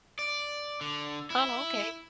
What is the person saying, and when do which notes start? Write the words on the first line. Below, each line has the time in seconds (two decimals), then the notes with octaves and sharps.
Oh, okay.
0.19 D5
0.81 D3
1.30 E4